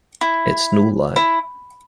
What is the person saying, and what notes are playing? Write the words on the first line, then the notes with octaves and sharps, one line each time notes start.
It's no lie.
E4
E4